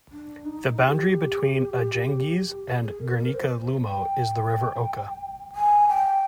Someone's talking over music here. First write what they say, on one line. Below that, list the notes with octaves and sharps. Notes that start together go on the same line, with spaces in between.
The boundary between Ajangiz and Gernika-Lumo is the River Oka.
D4
D#4
G4
G#4
A#4
A#4
C5
G5
G#5
G5